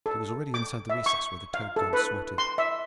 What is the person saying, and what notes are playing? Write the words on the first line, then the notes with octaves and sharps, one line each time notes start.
She was already inside the recess where the Toad God squatted.
A4
D6
E5
C#6
F5
A4
B4
C6
E5